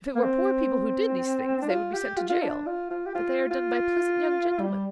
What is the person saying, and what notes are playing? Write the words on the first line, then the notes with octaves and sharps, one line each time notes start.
If it were poor people who did these things, they would be sent to jail; but they are done by pleasant young gentlemen.
A#3
C4
D4
F4
G4
F4
F4
D4
F4
F4
G4
F4
F4
G3